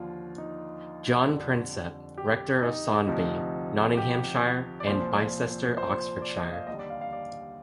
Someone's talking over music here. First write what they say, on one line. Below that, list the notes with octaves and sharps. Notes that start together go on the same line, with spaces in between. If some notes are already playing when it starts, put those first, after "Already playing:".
John Prinsep, rector of Saundby, Nottinghamshire, and Bicester, Oxfordshire.
Already playing: D#2 D3 F3 F4
D#4
F2 D3 G3
G4
D#4
D2 C3 F3 D#4
G4
D5
C2 A#2 F3 C5
C5
D5
D#5
F5
D#2 D3 G3 D#5
D5
F5
F5
D5